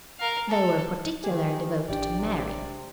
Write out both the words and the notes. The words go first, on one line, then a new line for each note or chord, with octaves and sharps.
They were particularly devoted to Mary.
A#4 F5
A4
D#3 G4 G#4
A1 D4 G4 D5
C3